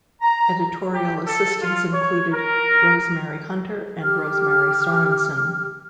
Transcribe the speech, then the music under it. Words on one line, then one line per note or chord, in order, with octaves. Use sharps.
Editorial assistants included Rosemary Hunter and Rosemary Sorensen.
A#5
G4
A4
F4
C#5
A#4
G4 F6